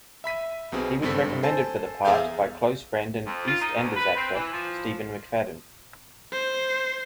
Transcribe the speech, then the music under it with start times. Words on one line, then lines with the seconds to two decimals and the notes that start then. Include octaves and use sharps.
He was recommended for the part by close friend and "EastEnders" actor Steve McFadden.
0.24 E5 B5 B6 D#7
0.72 B1 B2 C4 G#4
1.02 G#1 G2 C4 A4 B6
1.43 A4 C5 G#5 A5
2.05 E2 G#4 A4 E5 F5 G6
3.25 F2
3.46 F4
3.61 D#4
3.75 D2
3.95 B4
4.16 C4
4.34 E3
4.51 F3
6.33 C5